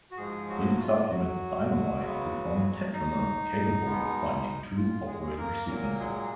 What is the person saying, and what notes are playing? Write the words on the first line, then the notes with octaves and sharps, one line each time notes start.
These subunits dimerize to form a tetramer capable of binding two operator sequences.
F#4
G#2 F3 G#3 G#4
F#3 F#4
F4
F#3 F#4
C#3 G#3 B3
D#4
B2 G#3 B3
F4
G#3 G#4
A#3 A#4
A#2 F#3 A#3 A#4
G#3 G#4